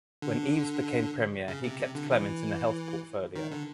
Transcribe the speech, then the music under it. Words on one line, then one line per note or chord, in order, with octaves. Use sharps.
When Eves became Premier, he kept Clement in the Health portfolio.
D3
C#3
C3
C3
D3
E3
D#3
D3